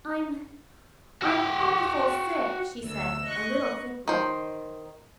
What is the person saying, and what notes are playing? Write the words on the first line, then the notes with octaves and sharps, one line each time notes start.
"I'm--I'm awful sick," she said, a little thickly.
F#4 G5
D2 E6
D#5 C#6 F#6
D#3 C5